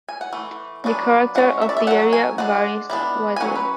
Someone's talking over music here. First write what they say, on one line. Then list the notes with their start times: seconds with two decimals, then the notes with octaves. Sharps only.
The character of the area varies widely.
0.09 G#5
0.21 F#5
0.33 E3 A3
0.84 F#3 B3 D4
1.35 G#3 C#4 F#5
1.61 E5
1.69 D5
1.77 E5
1.87 C#4 F#5
1.91 F#3
2.13 G#5
2.38 G#3 D4 F#5
2.90 E3 B3 D4
3.36 G#5
3.40 F#3 C#4 F#5
3.55 B4